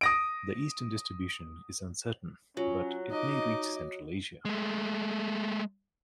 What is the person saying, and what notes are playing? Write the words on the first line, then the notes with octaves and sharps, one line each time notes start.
The eastern distribution is uncertain but it may reach central Asia.
D#6 A#6 D7
F#3 C#4 F4
D#4 D#5 D6
G#3 A3